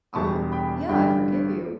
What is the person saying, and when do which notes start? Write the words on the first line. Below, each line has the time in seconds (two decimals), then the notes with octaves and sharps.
I'll ho yeah, I forgive you,
0.15 E1 E2 B2 G3 A5 C#6
0.52 G5 B5
0.89 A1 G2 D3 G3 D4 G5 B5